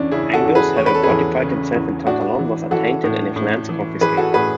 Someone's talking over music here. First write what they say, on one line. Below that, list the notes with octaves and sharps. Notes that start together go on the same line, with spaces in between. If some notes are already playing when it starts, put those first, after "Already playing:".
Angus, having fortified himself in Tantallon, was attainted and his lands confiscated.
Already playing: E2 C#4 D4
C#3 E4 G#4
F#4 A4
E2
G#4 B4
E2 C#5
B4
A4
G#4 B4
E2
C#3
E2
A2 D4 F#4
E3
E3 F#4 A4
A2
A2
E3
E3 G#4 B4
F#4 A4
A2 G#4 B4